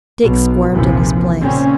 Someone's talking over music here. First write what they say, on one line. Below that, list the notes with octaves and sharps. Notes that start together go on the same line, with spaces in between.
Dick squirmed in his place.
B1 B2
A#1 D#2 C3 E3 F3
A#2 C#3 C4 C#4